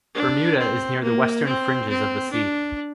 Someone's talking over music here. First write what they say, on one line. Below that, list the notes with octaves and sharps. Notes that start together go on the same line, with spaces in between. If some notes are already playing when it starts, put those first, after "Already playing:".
Bermuda is near the western fringes of the sea.
D4
C4
A#3
C4
C4
D4